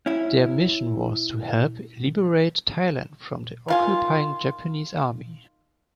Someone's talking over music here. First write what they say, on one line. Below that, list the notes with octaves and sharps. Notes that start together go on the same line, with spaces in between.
Their mission was to help liberate Thailand from the occupying Japanese Army.
C#4 E4
D#3 F4 G#5